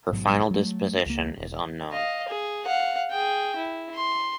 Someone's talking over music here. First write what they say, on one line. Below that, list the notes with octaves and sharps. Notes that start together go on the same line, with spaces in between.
Her final disposition is unknown.
A1 G#2 B2 F#3
F#3 A3
C#2 A#3
E1
D#5 F5
G#4
F5 F#5
G#4 G5
E4
C6